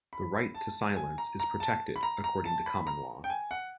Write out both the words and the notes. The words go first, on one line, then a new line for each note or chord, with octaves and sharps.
The right to silence is protected according to common law.
B5
A5
G#5
A#5
A#5
A5
B5
A#5
A#5
A5
B5
A#5
G5
G#5
F#5